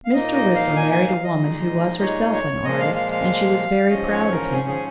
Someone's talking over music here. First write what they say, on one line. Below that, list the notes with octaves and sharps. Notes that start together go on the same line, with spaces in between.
Mr. Whistler married a woman who was herself an artist, and she was very proud of him.
F5
A#2 A#3 D#4 D#5
D#5
F5
G#5
G#5
F5
D#5
A#2 G#3 D#4
C#5
C#5
A#2 F3 G#3 D#5
F5
F5
F5
G#2 F3 C#4 D#5
C#5
A#4
G#4
G#4